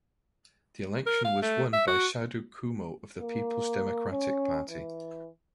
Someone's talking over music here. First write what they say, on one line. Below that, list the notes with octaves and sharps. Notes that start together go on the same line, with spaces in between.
The election was won by Saidu Kumo of the Peoples Democratic Party.
A#4
F5
A3
E5
F#4
A#3
C#4
E3